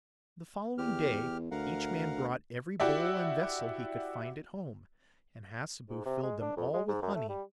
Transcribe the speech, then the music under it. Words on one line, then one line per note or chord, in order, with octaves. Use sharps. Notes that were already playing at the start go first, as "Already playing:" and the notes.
The following day each man brought every bowl and vessel he could find at home, and Hassebu filled them all with honey.
E2 G4 F6
D2 A#4 F5 F#5
E4 F#4 G4 D5 E5
G#2
C3
G#3
D4
F2
G#3
G#2
F#2
A3
G3